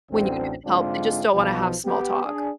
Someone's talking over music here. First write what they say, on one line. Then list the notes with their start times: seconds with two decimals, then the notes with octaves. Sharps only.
when you need help, they just don't wanna have small talk.
0.10 A1 D2 C4
0.64 G#2 D3 G#3 C4 D4 F4
1.34 B1 B2 F3
1.84 B3 G4
2.24 D4 G#4